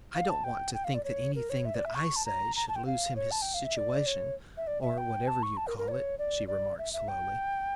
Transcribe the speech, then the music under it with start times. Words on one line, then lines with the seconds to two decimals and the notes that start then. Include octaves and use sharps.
"I don't want to think that anything that I say should lose him his situation--or whatever you call it," she remarked slowly.
0.15 F5
0.29 A5
0.44 G5
0.74 G5
0.84 F5
0.94 D5
1.04 C#5
1.36 A#4
1.50 C#5
1.65 E5
1.75 D5
1.85 E5
1.95 C#6
2.16 A5
2.26 A#5
2.56 A#5
2.69 A5
2.76 G5
2.87 F5
3.16 C#5
3.31 A5
3.42 G5
3.54 F5
3.64 E5
3.77 D5
4.06 C#5
4.57 E5
4.67 D5
4.82 E5
4.98 G5
5.27 A5
5.43 C#6
5.57 A5
5.67 A#4
5.78 A#4
5.88 D5
5.91 C#5
6.19 D5
6.48 D5
6.78 E5
6.93 E5
7.08 G5